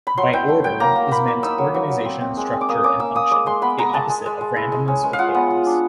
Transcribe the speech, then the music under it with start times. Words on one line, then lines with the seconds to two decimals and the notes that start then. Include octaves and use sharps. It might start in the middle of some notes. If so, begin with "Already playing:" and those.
By 'order' is meant organisation, structure and function: the opposite of randomness or chaos.
0.07 B5
0.17 F#3 C6
0.33 E4 G5
0.48 A3
0.64 F#3 G5
0.80 A#3 A#5
0.96 A#3
1.11 A#3 B5
1.28 A#3
1.43 D#4 E6
1.58 F#3
1.74 F#3
1.90 F#3
2.05 C4
2.21 C4
2.37 G#3
2.53 C4
2.61 D6
2.69 A#3 D#6
2.84 C#4 D6
2.99 A#3 E6
3.15 A#3 D#6
3.31 G#3 D6
3.46 G#3 C6
3.62 B3 B5
3.78 G#3 A#5
3.93 G#3 A5
4.10 G#3
4.26 G#3
4.41 G#3
4.56 E4
4.72 G#3
4.88 C#4
5.03 G#3
5.13 F5
5.19 F4 F#5
5.34 B3
5.50 F4
5.66 D4